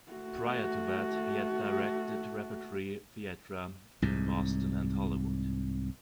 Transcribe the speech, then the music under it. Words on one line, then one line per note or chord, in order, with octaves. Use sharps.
Prior to that, he had directed repertory theatera in Boston and Hollywood.
A3 F#4
C2 G#2